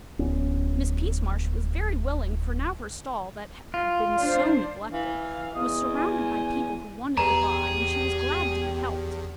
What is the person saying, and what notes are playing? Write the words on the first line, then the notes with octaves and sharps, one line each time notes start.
Miss Peasmarsh was very willing, for now her stall, that had been SO neglected, was surrounded by people who wanted to buy, and she was glad to be helped.
D1 B3 C#4
F4
D4 C5
E3 F5
E2 D#5
G#5
E2 G4 G#4 B4 A#5